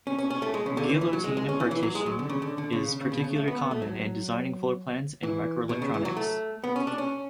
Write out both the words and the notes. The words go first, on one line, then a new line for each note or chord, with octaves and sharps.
Guillotine partition is particularly common in designing floorplans in microelectronics.
C#4
C#4
C#4
A3
G#3
C#3
D3
E3
E3
F#3
G#3
G#3
C#4
E3
E3
F#3
G#3
F#3
D3
C#3
D3
D3
C#3
C#3
C#3
B2
C#3
A3
B3
B3
A3
F#3
E3
B2
C#3
E3
F#3
A3
B3
C#4
D4
C#4